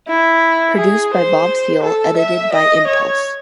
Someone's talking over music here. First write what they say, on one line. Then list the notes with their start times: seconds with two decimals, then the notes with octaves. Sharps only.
Produced by Bob Thiele, edited by Impulse!
0.08 E4
0.77 G#4
1.13 C5
1.83 A4
2.17 E5
2.53 D#5
2.87 C#5